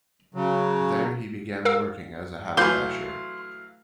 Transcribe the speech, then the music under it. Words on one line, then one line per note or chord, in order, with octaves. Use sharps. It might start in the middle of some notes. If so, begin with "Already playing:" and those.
There he began working as a haberdasher.
C#3 F#3
A#4 F5 E6
E3 F#3 A3 F5 G#5 B5 C6 G6